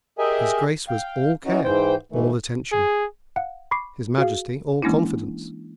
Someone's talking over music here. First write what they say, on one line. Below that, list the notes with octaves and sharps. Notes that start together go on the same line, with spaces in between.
His Grace was all care, all attention--his Majesty all confidence.
G4 G#4 A#4 D#5 E5 G#5
F5 G5
E3 C#4 D#4 F#4
G#2 E3 C5 G5
G#2 D#3 E3 A3
G#4
F5 F#5
B5 C#6 D6 C7
F#4 G#4 F5
E3 G#3 A#3 C#4 D4 E4